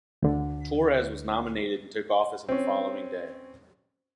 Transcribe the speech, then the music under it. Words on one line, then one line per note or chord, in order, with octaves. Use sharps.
Torres was nominated and took office on the following day.
D2 D3
C4 C#4